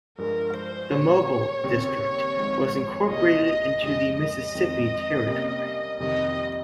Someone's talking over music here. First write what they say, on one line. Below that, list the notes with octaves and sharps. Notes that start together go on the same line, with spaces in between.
The Mobile District was incorporated into the Mississippi Territory.
G2 F3 G#3 A#4
C5
A#2 G3 C#4 C#5
D#2 C#3 G3 C4 G4
G#1 G#2 F3 G#3 C4
C2 C3 G3 A#3 F4 D#5
F2 C#3 G#3 C#4 G4 D#5
D#5
F2 D#3 G#3 C4 D#4
C3 G3 A#3 C#4
F2 C3 D#3 G3 C4 D#5